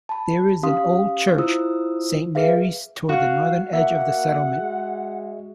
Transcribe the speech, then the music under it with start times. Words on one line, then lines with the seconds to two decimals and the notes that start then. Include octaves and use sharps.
There is an old Church, Saint Mary's toward the northern edge of the settlement.
0.09 A5 B5
0.63 C#4 G4 F5 C6 D#6
1.38 E4 F4 C5 D#6 E6
2.35 G#4 B4 E5 F5
3.09 F#4 F5
3.73 A#3 E5 F#5
4.59 G#3